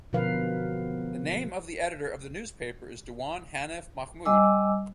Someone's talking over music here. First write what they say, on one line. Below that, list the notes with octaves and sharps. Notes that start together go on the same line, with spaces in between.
The name of the editor of the newspaper is Dewan Hanif Mahmud.
B2 D3 F3 A#4 B4 F5
G3 D#5 G#5 D6 E6